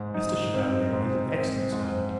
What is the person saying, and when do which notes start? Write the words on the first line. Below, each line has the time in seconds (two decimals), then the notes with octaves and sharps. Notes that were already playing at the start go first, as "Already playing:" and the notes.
Mr. Chevalier is an excellent servant.
Already playing: G#2
0.14 D#4
0.54 C4
0.93 G#2
1.32 C4
1.72 G#2